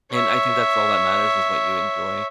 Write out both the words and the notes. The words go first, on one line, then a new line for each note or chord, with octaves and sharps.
And I think that's all that matters is what you enjoy.
C#5 E5